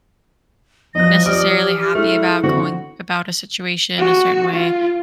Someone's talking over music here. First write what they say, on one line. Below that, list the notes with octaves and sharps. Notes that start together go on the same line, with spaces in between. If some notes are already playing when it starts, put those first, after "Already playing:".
necessarily happy about going about a situation a certain way,
E2 F3 F#3 D#5 F#6 A#6
F3 G4 D5 D#6 F6
G#3 A3 E4
D3 E3 C4 F#4 F#5
F#4
F4